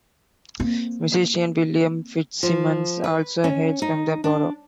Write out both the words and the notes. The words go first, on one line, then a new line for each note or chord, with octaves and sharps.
Musician William Fitzsimmons also hails from the borough.
A#3 C4
F3
B4
C#4
D#4
D4